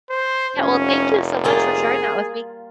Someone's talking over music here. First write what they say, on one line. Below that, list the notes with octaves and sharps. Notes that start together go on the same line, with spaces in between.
Yeah, well, thank you so much for sharing that with me.
C5
F1 C#4
G3 A#3 F4 G#4